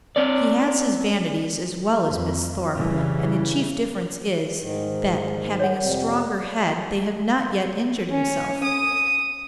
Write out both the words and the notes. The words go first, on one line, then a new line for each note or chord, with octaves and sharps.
He has his vanities as well as Miss Thorpe, and the chief difference is, that, having a stronger head, they have not yet injured himself.
C4 C#5 D5
F2
C#3 E3 G3
G#2 D#3
C#5 F#5
F2 C3 G3
C#4
D#6